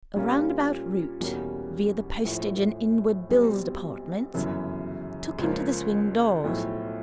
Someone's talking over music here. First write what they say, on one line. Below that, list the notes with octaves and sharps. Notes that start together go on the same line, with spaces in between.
A roundabout route, via the Postage and Inwards Bills Departments, took him to the swing-doors.
A#2 G3 A#3 C#4 F4
E2 B2 G3 A#3 C#4
A#1 A2 F3
B1 B2 G3 C4
G1 F#2 C#3 E3
C#2 C#3 F3 A#3
B1 A2 F3